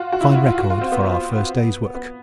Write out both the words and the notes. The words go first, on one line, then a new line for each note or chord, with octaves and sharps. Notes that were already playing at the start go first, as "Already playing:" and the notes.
A fine record for our first day's work.
Already playing: F4 F#4
F#4
E4
F4
E4
F4
F#4
F4
C4
B3
B3